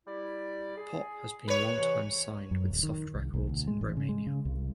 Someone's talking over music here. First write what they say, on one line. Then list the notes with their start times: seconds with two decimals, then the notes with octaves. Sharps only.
Pop has been longtime signed with Soft Records in Romania.
0.06 G3 E4 D5
0.76 G#4
1.48 B4 C#5
1.76 G#2 C3 E3
2.51 F#2
2.68 D1
2.83 D#3
3.15 C2
3.34 B1
3.47 D2
3.67 G#3
3.81 A1
3.97 C#3
4.09 G#3
4.27 C#3
4.45 C2